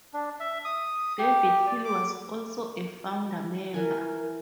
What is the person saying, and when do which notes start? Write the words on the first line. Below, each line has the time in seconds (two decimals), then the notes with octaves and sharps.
David Hill was also a founder member.
0.13 D4
0.40 E5
0.65 D#6
1.19 G4
1.67 D5
1.85 D6
3.74 E3 A#4 G#5